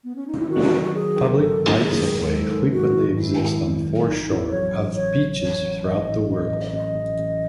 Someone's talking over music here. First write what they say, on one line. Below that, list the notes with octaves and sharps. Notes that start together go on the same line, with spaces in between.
Public rights of way frequently exist on the foreshore of beaches throughout the world.
B3
C#4
D#4
E4
D#3 F#4
F#3
F#4
F#3 G#4
D#3
G#1 A4
G#1
F#4
G#2 G#4
D#3
G#2 A4
G#2
G#2 F#4
G#1
G#2 E4
G#1
G#1
F#3
A1 D#4
A1 E4
F#3 C#5
A1
A1 C#5
A2
A1 C#5
A1
A1 D#5
A1
A1 D#5
A1
A1 D#5
A1
A1